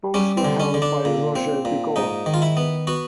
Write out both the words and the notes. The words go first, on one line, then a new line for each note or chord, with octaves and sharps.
Both were held by Roger Bigot.
G3 C#4
C4
D3
C#4
D3
D4
A#2
C4
A#2
G#2 D#4
D#3
F4
E4
B3
B3 F#4